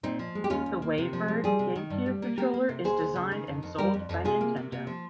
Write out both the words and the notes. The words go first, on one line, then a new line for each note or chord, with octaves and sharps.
The WaveBird GameCube controller is designed and sold by Nintendo.
A#2 C4 D#4
F3
G#3
G4
D#2 C#4 F4
D#2
A#3
C3
F3
G#3
G3 F4 G#4
C3
D#3
G2
G3
A#3
A#3 G4 A#4
A#3
C3
D#2 G#4 C5
D#2
C#3
D#3
F2
F2
G3 G4 A#4
F2
F2
C3 F4 G#4
A#3
C3
C3
F3